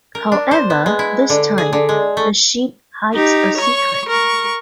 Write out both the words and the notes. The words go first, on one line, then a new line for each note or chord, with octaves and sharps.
However, this time, the ship hides a secret...
A#4
D4
C5
B3
G#3
E4
D3
G#4
D3
G#3
A3
D#4 G4
C#5 C#6
A#4 C#6